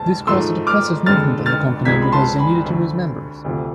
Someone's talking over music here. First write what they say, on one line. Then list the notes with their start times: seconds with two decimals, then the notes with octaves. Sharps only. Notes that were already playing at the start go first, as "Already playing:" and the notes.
This caused a depressive movement on the company because they needed to lose members.
Already playing: D2 C3 G#3 A5
0.27 G#2 F3 A3 C6 E6
0.67 D6 F6
1.06 F2 D3 G#3 F6 A6
1.46 F6 A6
1.85 C2 C3 F3 G#3 G#6 B6
2.02 B5
2.12 A5 C6
2.39 G#5 B5
2.65 D2 D3 A3
3.44 D2 C3 F3 A3